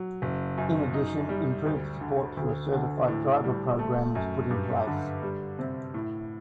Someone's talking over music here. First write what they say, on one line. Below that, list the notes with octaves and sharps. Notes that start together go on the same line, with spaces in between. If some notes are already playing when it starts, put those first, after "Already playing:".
In addition, improved support through a certified driver program was put in place.
Already playing: F#3
F#1
F#2
D#4
G3
D2
D3
D2
D3
A2
G3
A3
F#2
G2
D3
G3
C3
A2